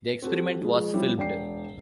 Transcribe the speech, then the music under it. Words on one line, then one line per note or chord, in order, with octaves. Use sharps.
The experiment was filmed.
C4 F#4 G4 A4
F3 G#3
F3 G3 C4 C#4 E4 F#4
E1 D5 G5 C7